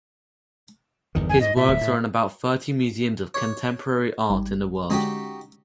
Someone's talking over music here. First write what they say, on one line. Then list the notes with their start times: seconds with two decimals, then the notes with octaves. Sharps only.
His works are in about thirty museums of contemporary art in the world.
1.15 G1 E2 D#3
1.29 G#5
1.41 G#2 D#5
1.56 A#2 E5
1.68 D1
1.81 A2
3.34 C#5 D6
4.30 G#1 G3
4.90 D3 G#3 C#4 D#4 F#4 G4